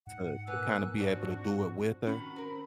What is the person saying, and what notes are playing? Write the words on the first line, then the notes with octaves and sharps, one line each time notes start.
to to kinda be able to do it with her,
G#2 F#5
A#2 A#3 B3 G#5 E6 F#6
F3 C4 D4 F#4 C#6
D#3 C#4 F#4 B5
C4 A#4